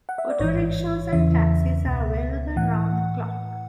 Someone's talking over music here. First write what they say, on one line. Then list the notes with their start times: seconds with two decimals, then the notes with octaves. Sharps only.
Autorickshaws and taxis are available round the clock.
0.09 F#5
0.18 E5
0.30 D5
0.39 A1 G#2 E3 C#5
1.13 E2 C#3 E3 E5
1.85 C#2 B2
2.56 A2 E3 F#5